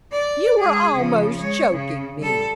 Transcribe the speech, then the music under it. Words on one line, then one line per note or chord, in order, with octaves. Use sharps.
You are almost choking me!
D5
G#3 G#4
C#3 F3
G#3 C#5
C#3
G3 A4